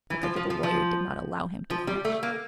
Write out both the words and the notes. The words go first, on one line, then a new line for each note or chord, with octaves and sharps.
But the little lawyer did not allow him to finish.
E3
F3
F3
F3
F3
F3
G3
A3
A#3